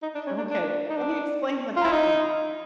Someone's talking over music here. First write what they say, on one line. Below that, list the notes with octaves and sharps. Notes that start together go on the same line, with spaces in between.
Okay. Let me explain what happened.
D#4
D4
C#4
D4
D4
D#4
D4
F4
E4
D#4